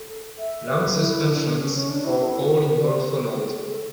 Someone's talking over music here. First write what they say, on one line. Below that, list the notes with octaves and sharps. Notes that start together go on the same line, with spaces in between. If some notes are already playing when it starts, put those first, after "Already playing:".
Long suspensions for all involved followed.
Already playing: A4
E5
B4
A4
B4
E4
D4
C#4
C#4
D4
E4
E4
F#4
D5
B4
A4
F#4
G#4
A4
A4